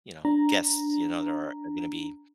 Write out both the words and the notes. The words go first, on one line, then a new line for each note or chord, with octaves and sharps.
you know, guests, you know, that are are gonna be
D4 A#5